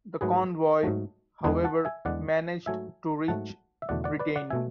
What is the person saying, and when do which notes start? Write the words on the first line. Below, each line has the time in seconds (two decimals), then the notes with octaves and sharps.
The convoy, however, managed to reach Britain.
0.21 G#2 F#3 A3 G#4 B4
0.83 G#2 F#3 A3
1.44 E2 D3 G#3 G#4 B4
1.64 F#5 A5
1.85 E5 G#5
2.05 E2 D3 G#3 D5 F#5
2.66 G#2 F#3 A3 E5 G#5
3.28 G#2 F#3 A3 F#5 A5
3.82 E5
3.89 E2 B2 A3 D5 F#5
4.04 D5 F#5
4.19 B4 D5
4.36 D5 F#5
4.50 B2 A3 E5 G#5